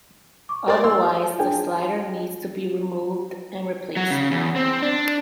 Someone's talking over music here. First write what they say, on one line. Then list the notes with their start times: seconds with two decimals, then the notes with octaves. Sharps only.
Otherwise the slider needs to be removed and replaced.
0.49 C#6 D6
0.68 A#4 C5 D5
0.84 C6 E6
1.39 D4 G#4 G5 G#5
3.96 F#3
4.10 C#3
4.31 E2
4.56 C4
4.83 D4